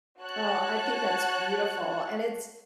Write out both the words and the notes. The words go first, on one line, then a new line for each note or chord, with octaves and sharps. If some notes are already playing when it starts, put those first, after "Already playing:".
Oh, I think that's beautiful, and it's
F#4 C#5 A5 F#6